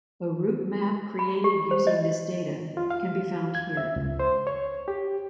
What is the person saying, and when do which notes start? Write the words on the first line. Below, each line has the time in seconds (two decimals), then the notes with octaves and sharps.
A route map created using this data can be found here.
1.19 B5
1.44 G4
1.71 C5
1.87 D#5
2.77 F4
2.90 F5
3.55 G#6
3.77 E5
3.96 C#2
4.20 C5
4.47 C#5
4.88 G4